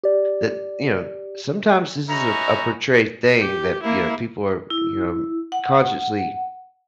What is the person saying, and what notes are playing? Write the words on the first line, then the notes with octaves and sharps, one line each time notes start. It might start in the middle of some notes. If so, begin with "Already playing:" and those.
that, you know, sometimes this is a a portrayed thing that, you know, people are, you know, consciously,
G4 D5
C#4 D#4 F#4 B4 E5 A#5
G4
A#3 E4
E4
F#5